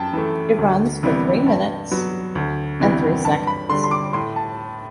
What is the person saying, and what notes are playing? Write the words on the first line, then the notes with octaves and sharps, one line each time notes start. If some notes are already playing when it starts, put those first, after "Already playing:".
It runs for three minutes and three seconds.
Already playing: F#2 G5 A5
E3 A3
D2
C3 E3 G3 B3
G2
F#3 B3
D2
C3 E3 G3 B3
G2 A5
B5
D3 G3 C6
C6
D6
A2 C6
A5